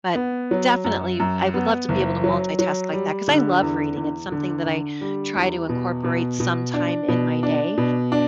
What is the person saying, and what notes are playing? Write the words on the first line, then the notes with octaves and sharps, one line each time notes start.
But, definitely, I would love to be able to multitask like that 'cause I love reading, it's something that I try to incorporate sometime in my day,
B3
F#3
F#2
F#2
B3
F#1
F#3
F#3
G3
D3
E2
E2
D3
D3
G3
E2
B2
B2
B2
D4
B2
D4
B2
D4